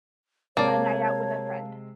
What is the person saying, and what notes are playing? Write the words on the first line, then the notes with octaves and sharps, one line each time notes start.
a night out with a friend.
C3 G#3 A#3 C4 C#5 D5 F5 A5